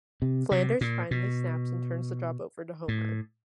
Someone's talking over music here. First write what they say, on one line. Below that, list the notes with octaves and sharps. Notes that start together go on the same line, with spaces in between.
Flanders finally snaps and turns the job over to Homer.
C3
C3
A#2
B2
A2